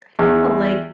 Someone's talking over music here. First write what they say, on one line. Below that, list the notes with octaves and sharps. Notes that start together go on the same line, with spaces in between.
I don't know. Like,
E2